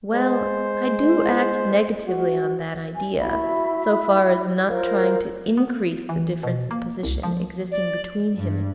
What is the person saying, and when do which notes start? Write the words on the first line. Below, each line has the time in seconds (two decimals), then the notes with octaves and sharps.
"Well, I do act negatively on that idea, so far as not trying to increase the difference of position existing between him and me."
0.14 G#3 C5
2.07 F#4
2.94 G#5
3.21 E4 F#4 E5 B5
4.69 F4 A#4 C5 F5
5.57 B3
6.09 E3
6.43 B2
6.71 A#3
7.03 C2
7.23 F3
7.71 D5
8.36 G2